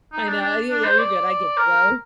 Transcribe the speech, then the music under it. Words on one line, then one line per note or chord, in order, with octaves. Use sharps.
I know, yeah, yeah, you're good I get you though.
D#4
D4
D4
D4
C5
D5
A#4